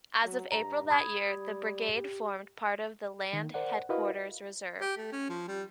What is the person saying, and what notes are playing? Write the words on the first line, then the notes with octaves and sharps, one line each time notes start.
As of April that year, the brigade formed part of the Land Headquarters Reserve.
F#3
G2 A#5
B5 D#6 G#6
G3
G4
D#3
A#4 C5 D5 F#5
E4 F#4 A#4 B4 D#5 F5
G4
A3
C#4
F3
G3